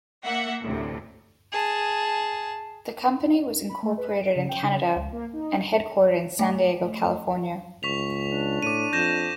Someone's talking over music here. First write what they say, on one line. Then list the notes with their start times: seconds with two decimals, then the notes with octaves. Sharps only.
The company was incorporated in Canada and headquartered in San Diego, California.
0.25 A#3 E5 F#5
0.62 D2 A2 C3
1.52 G#4 A5
3.69 B5
3.83 A3
3.98 B4
4.22 D7
4.36 C#3
4.49 G5
4.63 C#3
4.82 C5
4.96 C#2
5.12 A#3
5.33 D#4
6.39 A3
7.83 C#2 C#6 B6 F7
8.30 D4
8.62 A2 D6 D#7
8.93 F2 G6 A#6 E7